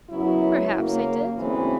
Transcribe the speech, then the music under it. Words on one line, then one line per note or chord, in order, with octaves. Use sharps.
"Perhaps I did."
F#2 C#3 F#3 B3 E4
C#3 F#3 A#3
D2 C#3 E3 G#3 C4